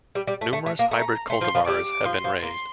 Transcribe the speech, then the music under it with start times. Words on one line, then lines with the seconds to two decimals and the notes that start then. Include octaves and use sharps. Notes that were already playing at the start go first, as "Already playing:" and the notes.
Numerous hybrid cultivars have been raised.
0.15 G3
0.27 G3
0.41 A3
0.53 A3
0.66 A3
0.79 A#3
0.91 A3 A#5
1.30 A3 C6
1.41 F3
1.55 F3
1.67 G3 D6
2.05 F3 C6
2.24 F3
2.43 A#3 C6